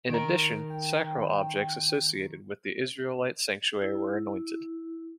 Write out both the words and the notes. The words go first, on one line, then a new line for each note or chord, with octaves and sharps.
In addition, sacral objects associated with the Israelite sanctuary were anointed.
D#3 A#4 D7
G5
E4